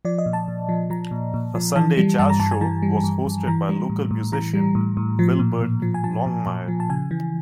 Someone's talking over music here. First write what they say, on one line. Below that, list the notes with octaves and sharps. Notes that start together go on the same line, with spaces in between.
A Sunday jazz show was hosted by local musician Wilbert Longmire.
F3 D5
D#5
A#2
A5
A#2
F3
F3 A#5
A#2
A#2
F3
E3 A5
G3
G2 A5
A#5
G2 A5
G#5
E3 A5
G3
G2
G2
E3 A#5
G3
A2
A2
E3 A#5
G3
A2
A2
F3
A#2
A#2
F3
G#5
F3 A5
A#2
A#2
F3
A5
C#3 G#5
E3